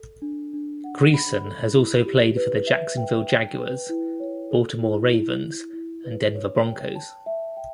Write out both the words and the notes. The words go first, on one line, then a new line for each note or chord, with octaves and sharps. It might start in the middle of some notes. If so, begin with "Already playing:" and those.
Greisen has also played for the Jacksonville Jaguars, Baltimore Ravens and Denver Broncos.
Already playing: A4
D4
D4
F#5
B5
A4
E4
G4
B4
E5
G5
G5
B4
E4
C#5
A4
E4
E4
E4
E4
B4
C#5
G5
A5
E5
G5